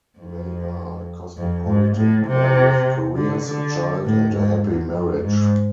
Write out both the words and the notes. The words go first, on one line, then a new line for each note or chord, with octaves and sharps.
They are a cosmopolitan pair with careers, a child, and a happy marriage.
F2
F2
G#2
A2
C3
D3
D3
A2
G#2
E2
F2
G#2